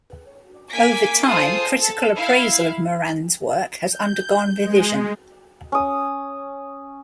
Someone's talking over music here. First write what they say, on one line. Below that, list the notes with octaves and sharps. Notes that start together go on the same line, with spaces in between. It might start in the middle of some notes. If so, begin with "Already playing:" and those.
Over time, critical appraisal of Morand's work has undergone revision.
A#3 G#5 D6 B6
F4 G#4 A4 C5 D#6
A4
E4 F5
G6
G#3
C#4 D#6